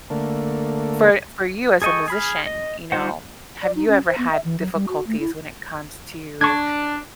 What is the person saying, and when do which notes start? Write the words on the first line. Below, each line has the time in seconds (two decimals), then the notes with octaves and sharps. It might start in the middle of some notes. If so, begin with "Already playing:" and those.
for for you as a musician, you know, have you ever had difficulties when it comes to,
0.10 D3 A3 A#3
1.82 G#4 A4 D#5 G5 C#6
2.08 G#4 B5 F6
2.46 D#5
2.92 G3 D#4 F4 C5 F#5
3.63 D5
3.76 D#4
3.88 C#4
4.06 C5
4.18 B3
4.31 E5
4.45 E3
4.59 F#3
4.74 G3
4.88 F#4
5.07 A3
5.20 E4
6.41 D4 C#6 G#6